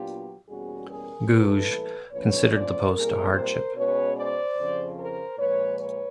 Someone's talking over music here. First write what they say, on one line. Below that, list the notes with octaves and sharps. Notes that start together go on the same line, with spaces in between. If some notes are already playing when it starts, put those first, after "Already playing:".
Googe considered the post a hardship.
Already playing: A#2 F#3 B3 D4 F4 G4
E2 B2 G3 A#3 C#4 F#4 G#4
G#4 A#4
A2 E3 G3 A#3 A4 B4
A#2 F3 A3 C#4 B4 C#5
C5 D5
A#2 G3 C4 G#4 A#4
A#4 C5
B2 G#3 C#4 B4 C#5
C5 D5
F2 C#3 F3
A#4 C5
A#2 F3 G#3 B4 C#5
B4 C#5